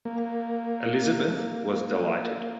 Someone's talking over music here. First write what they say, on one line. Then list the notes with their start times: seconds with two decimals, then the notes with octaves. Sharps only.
Elizabeth was delighted.
0.05 A#3
1.28 A3
1.32 A#3